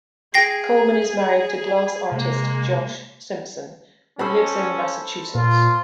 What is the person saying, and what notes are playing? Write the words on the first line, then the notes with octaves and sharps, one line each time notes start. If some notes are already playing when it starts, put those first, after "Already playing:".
Coleman is married to glass artist Josh Simpson who lives in Massachusetts.
G#4 G5 A#6 C7
C3 G#3 A#3
C#4 A4 C5 B5
A#2 F4